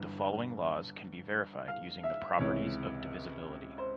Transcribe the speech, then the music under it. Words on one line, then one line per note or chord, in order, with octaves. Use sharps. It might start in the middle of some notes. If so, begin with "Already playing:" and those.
The following laws can be verified using the properties of divisibility.
Already playing: G1 G2 E3
F5
E5
C#2 C3 E3 C#5
C5